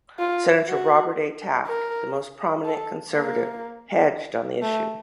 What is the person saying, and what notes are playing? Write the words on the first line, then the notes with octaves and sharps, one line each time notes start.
Senator Robert A. Taft, The most prominent conservative, hedged on the issue.
F4
F#4
A#4
A4
A#3
A3